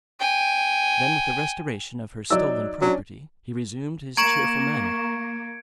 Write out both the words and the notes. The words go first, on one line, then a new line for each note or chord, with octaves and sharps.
Then, with the restoration of her stolen property, he resumed his cheerful manner.
G5 G#5
F#3 D#4 D5 E6
F#3 C#4 D4
A#3 A#5 C#6 G#6 C#7 D7 E7